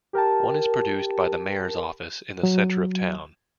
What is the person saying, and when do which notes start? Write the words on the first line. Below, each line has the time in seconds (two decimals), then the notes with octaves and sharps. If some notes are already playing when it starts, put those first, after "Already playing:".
One is produced by the mayor's office in the center of town.
0.13 G4 A#4 G5 A5
2.43 F#3